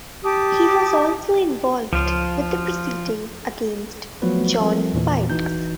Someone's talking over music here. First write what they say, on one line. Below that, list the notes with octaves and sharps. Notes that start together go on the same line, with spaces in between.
He was also involved with the proceedings against John Wilkes.
G4 A5 D6 D#6
C#2 F3 F4
F3 F#3 A3 B3 F#4 B4
F3 G3 C4 A4 A#4
E2 A#2 E3
G1 E3 D#4 F#4 G6